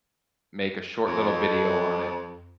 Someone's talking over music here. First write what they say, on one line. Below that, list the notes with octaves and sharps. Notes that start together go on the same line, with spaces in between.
make a short little video on it.
F2